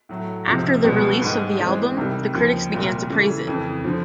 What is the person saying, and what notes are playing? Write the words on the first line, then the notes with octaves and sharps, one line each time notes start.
After the release of the album, the critics begin to praise it.
A2 F#3 A3
C#2 C3 F3
C#2 B2 G3 B3
G#2 D#3 G#3
E3 G#3 C4
C2 C3 D#3 G3
D#2 C#3 F3
C2 A#2 G3
C#3 E3 A3
F2 C#3 E3
D3 F3